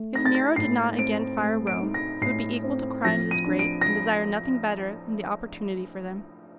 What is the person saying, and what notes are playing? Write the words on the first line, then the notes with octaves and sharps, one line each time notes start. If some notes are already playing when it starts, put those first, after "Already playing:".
If Nero did not again fire Rome he would be equal to crimes as great, and desire nothing better than the opportunity for them.
Already playing: A3
D#4 A#6
A6
A#6
A2 C7
C4 D7
A3
D7
D#4
A#6
A2 C7
C4
F3 A#6
D#7
D4
D7
A#6